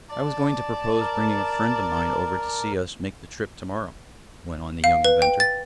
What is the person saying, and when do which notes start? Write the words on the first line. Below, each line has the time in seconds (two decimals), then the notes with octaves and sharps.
"I was going to propose bringing a friend of mine over to see us make the trip to-morrow," went on the young inventor.
0.10 D5 A5
1.00 A#4
4.84 F5
5.05 B4
5.22 G5
5.40 A6